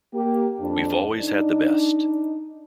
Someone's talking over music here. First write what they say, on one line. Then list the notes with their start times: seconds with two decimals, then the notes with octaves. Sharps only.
We've always had the best.
0.14 A#3 G4
0.59 F2 D4
1.18 D4 D#4